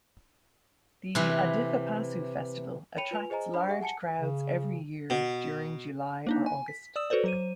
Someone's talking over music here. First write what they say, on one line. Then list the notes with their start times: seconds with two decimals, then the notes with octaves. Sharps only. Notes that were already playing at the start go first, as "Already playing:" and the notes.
The Adithapasu festival attracts large crowds every year during July or August.
1.15 C3 E3
2.97 C#5 G5 B5 C#7 D#7 F7
3.11 F4 B4 G#5 F7
3.30 G#4 C5 D#5 G#5 A#5
3.54 D4 C5 B5
3.68 G4 G#4 E5 F#5
3.81 F#5 G#5 A5 C#7
4.21 C#3
5.10 B2
6.27 A#3 D4 D#4
6.46 G#5
6.68 B6
6.96 D5 D#6 E6 E7
7.10 F#4 A4 B4 C5 D5
7.24 F#3 C5 D#7